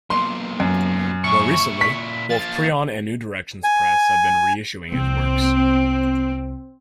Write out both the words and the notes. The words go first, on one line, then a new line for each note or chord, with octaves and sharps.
More recently, both Prion and New Directions Press have been reissuing his works.
B1 A#2 C6
F#2
A#2 E4 C#6
B6
F3 A#3 A6
G#5
C2 C4